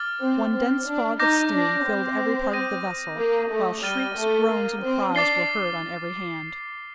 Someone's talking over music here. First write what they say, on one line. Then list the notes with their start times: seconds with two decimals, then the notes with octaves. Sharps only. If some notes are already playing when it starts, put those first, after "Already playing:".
One dense fog of steam filled every part of the vessel, while shrieks, groans, and cries were heard on every hand.
Already playing: D6 F6 A6
0.21 C4
0.54 C4
0.87 D4
1.20 D#4 D6 G6 A#6
1.53 D4
1.85 C4
2.52 D#6 G6 A#6 D#7
3.17 A#3
3.50 A3
3.83 G3 F6 A6 D#7 G7
4.16 A3
4.49 A#3
4.81 C4
5.14 D4 D6 A6 C7 G7